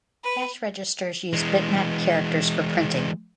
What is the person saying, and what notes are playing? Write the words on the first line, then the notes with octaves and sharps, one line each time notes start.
Cash registers use bitmap characters for printing.
B4
E3 G#3